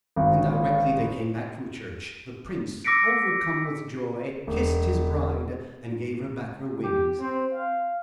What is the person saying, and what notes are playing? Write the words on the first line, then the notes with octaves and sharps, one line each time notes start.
And directly they came back from church the prince, overcome with joy, kissed his bride, and gave her back her wings.
G#1
D6 E6 A#6 B6 C#7 D7
E1
G4
C4
F5